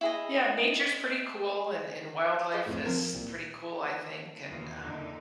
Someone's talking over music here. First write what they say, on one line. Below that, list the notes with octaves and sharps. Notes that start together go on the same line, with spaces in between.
yeah, nature's pretty cool and, and wildlife is pretty cool, I think, and, um
E4 G#4 D#5
G#4 D#5 F#5 B5 C#6 G6
B1 F2 A2
F3 C4 A#4 G#6
C2 A#2
D#2 B2 E3 F4
E2 A#2 D3 D#4 E4